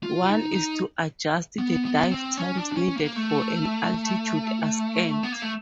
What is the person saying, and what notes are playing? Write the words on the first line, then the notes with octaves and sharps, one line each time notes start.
One is to adjust the dive times needed for an altitude ascent.
F4
D#4
D#4
B3
B3
C4
C#4
D4
D4
C#4
A#3
A3
B3
A#3
A3